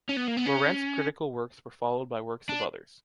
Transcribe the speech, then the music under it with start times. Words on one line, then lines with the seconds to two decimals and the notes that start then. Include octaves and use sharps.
Llorente’s critical works were followed by works of others.
0.09 C#4
0.16 B3
0.27 A#3
0.37 B3
0.46 C#4
2.49 D4